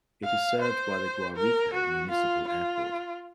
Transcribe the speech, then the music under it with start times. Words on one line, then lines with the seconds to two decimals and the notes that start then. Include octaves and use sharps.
It is served by the Guarico Municipal Airport.
0.24 F5
0.61 C5
1.35 A#4
1.73 F#4
2.10 F4
2.47 F4